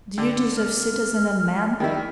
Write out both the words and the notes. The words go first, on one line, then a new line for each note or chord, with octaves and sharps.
Duties of citizen and man?
D3
F6
D#3 G3 E4